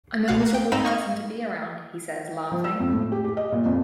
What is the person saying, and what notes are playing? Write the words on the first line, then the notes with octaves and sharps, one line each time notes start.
'I'm a miserable person to be around,' he says, laughing.
C2 B2 F#4 F5 F#6
A#3
G5
G#2 C4 D#4 F5 B5 E7
D#4 C#6 F6
F3
E6
F2
A2
G4
G4
D#5
A#2
F2